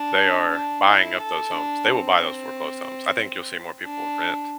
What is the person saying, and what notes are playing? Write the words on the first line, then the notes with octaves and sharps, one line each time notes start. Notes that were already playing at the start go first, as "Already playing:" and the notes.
they are buying up those homes, they will buy those foreclosed homes, I think you'll see more people rent,
Already playing: D4
D4
E4
A4
D4
C4
D4